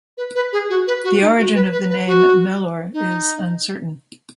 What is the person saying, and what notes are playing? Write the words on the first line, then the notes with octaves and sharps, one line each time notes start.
The origin of the name "Mellor" is uncertain.
B4
B4
G#4
F#4
B4
F#4
D#4
F#4
B4
B4
B4
F#4
D#4